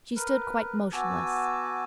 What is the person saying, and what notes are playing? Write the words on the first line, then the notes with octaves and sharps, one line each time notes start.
She stood quite motionless.
A#4 B4
B3 F#4 G#5 A5 D6 E6